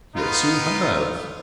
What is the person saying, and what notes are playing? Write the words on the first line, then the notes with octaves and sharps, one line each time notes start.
"Yes, you have."
B3 D#4 F4